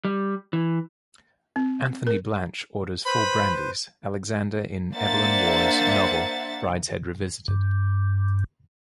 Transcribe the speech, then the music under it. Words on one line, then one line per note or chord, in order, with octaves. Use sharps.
Anthony Blanche orders four brandies Alexander in Evelyn Waugh's novel Brideshead Revisited.
G3
E3
C4
A#4
B4 C5 B5
A#3 D4 C5 E5 F#5 A6
G2